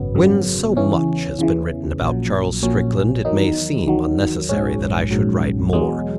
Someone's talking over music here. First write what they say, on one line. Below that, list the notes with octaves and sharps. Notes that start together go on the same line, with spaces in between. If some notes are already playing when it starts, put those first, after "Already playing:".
When so much has been written about Charles Strickland, it may seem unnecessary that I should write more.
Already playing: G#1 F#2 C#3 F#3 B3
G#1 F#2 C#3 F#3
E2 C#3 E3 C#4
E2 C#3 E3
A#1 A#2 F#3
A#1 A#2 F#3 C#4
E2 D#3 F#3 D#4
E2 D#3 F#3
A#1 G#2 F#3 C#4
A#1 G#2 F#3
E2 B2 F#3 G#3